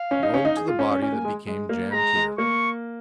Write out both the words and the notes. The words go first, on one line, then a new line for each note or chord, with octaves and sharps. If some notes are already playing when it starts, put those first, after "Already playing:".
Woe to the body that became jammed here!
Already playing: F5
C#4
D#4
C#4
D#4
G#4
F4
C#4
C#4
C#4 G#5
A#3
G#3
G#3
A#3
G#3 A#5
G#3
A#3 C#6